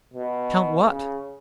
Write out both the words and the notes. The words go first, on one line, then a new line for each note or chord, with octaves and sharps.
"Count what?"
B2
C#3